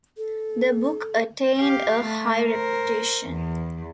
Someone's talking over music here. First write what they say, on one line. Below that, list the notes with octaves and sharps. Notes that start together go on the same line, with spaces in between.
The book attained a high reputation.
A4
G4 F5
A3
A#4 C5
E2